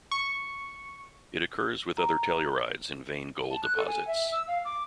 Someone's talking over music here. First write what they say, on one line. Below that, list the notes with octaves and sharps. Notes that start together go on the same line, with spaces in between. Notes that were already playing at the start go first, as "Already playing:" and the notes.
It occurs with other tellurides in vein gold deposits.
C#6
A#5
A5
F#6
A4
G#5
E5
E6
F5
D6